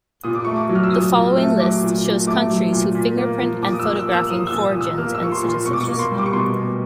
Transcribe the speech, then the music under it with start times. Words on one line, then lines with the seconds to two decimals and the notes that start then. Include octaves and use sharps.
The following list shows countries who fingerprint and photographing foregins and citizens.
0.24 A#2 D#6
0.35 D6
0.45 A3 C#6
0.56 D6
0.69 F#3
0.75 F6
0.83 E6
0.92 A#2 D#6
1.14 A#2
1.37 A3
1.59 F#3 D6
1.82 A#2
2.04 A#2
2.27 A3 D6
2.49 F#3
2.72 A#2
2.95 A#2
3.17 A#3
3.40 F3
3.62 A#2 D6
3.73 D#6
3.80 E6
3.85 A#2
3.96 E6
4.08 A#3
4.13 E6
4.30 F3 D#6
4.47 E6
4.52 A#2
4.71 A#2 D#6
4.81 E6
4.98 A#3 F6
5.15 E6
5.20 F3 C#6
5.32 C6
5.43 A#2
5.49 C6
5.65 B2 C#6
5.73 D6
5.81 C#6
5.88 A#3
5.99 C6
6.11 G3
6.18 D6
6.26 C#6
6.33 B2 C6
6.56 B2